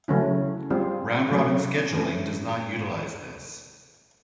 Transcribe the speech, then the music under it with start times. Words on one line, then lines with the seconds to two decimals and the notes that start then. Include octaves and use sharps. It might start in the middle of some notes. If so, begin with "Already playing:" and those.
Round-robin scheduling does not utilize this.
0.08 C#3 F#3 A3 C#4 E4
0.70 G3 C4 F4 G#4
1.31 F#3 A3 C#4
1.93 E3 A3 C#4